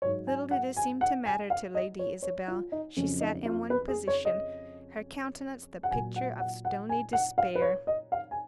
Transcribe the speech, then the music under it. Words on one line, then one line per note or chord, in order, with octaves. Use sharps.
Little did it seem to matter to Lady Isabel; she sat in one position, her countenance the picture of stony despair.
G#2 F#3 C#5
G#5
F#5
G#5
F#5
G#5
F5
D#5
C#5
C#5
F4
D#4
F2 C#3 F#3 C#4
D#4
F4
B4
G#4
C#5
D#5
F#5
A#2 F#3 G#5
F#5
F#5
F#5
G#5
F#5
F5
B4
C#5
D#5
F5
G#5